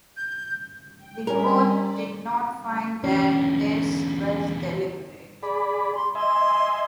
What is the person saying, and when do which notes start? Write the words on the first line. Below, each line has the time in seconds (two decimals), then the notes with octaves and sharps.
The Court did not find that this was deliberate.
0.17 G6
0.97 G5
1.27 G3 C#4 A#4 D#5 B6
1.68 D5
3.04 E2 D3 C#4
5.43 G#4 D5 B5
5.95 C6
6.15 D#5 E5 G#5 C6